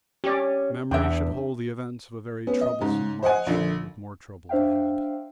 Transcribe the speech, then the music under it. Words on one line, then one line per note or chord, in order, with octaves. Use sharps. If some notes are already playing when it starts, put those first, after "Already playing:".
Memory should hold the events of a very troublesome march with more troubles ahead.
C#4 G4 D5
E2 D4 E5 G5
B3 C#4
D#5
G#2 C#3
C5 D#5 F#5 G#5
A#1 D3
D4 C5 E5 F5 G5